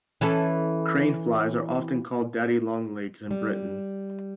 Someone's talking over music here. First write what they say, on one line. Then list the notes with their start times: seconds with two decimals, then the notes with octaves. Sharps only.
Craneflies are often called daddy-long-legs in Britain.
0.21 E3 C#4 A4
3.31 G3